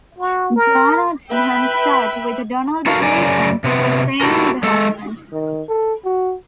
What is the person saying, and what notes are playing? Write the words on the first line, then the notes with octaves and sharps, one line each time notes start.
Joanna Dunham starred, with Donald Pleasence portraying the husband.
F#4
A#4
B4 E5 G5 B5
D#4 F#4 A4 A#4 F5
F#2 C#3 A#4 D5 G#5
C3 B3
E4 F#4 G4 A4 A#4
G#3 A4
D#3
A4
F#4